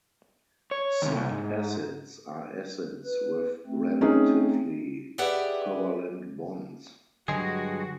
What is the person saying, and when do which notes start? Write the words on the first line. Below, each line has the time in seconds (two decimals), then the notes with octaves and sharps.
Soft acids are acids with relatively covalent bonds.
0.71 C#5
1.02 D#2 C3
1.16 C2
1.31 G#2
3.04 B4
3.66 A3 C4
4.01 C#4 D#4 G#4
5.18 G4 G#4 B4 D5 E5 F#5
7.28 G2 D3 F#3 G#3 F#4 G#4